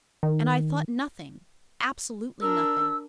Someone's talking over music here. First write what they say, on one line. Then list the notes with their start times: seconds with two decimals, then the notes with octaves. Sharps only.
And I thought nothing; absolutely nothing.
0.23 D#3
2.42 D4 A#4 E6